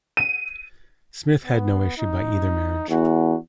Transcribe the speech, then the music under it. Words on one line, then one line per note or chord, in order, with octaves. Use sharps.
Smith had no issue by either marriage.
D#7
B3
D#4
E2 F#4